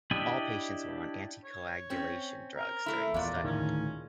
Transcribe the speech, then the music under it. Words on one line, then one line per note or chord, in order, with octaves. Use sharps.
All patients were on anticoagulation drugs during the study.
D4 E4 G4 D#5 E5
C#5
C4 C#4
A#4
A3 E4
E2 A#2 G#3 D5
D2 A2 D#3 C#4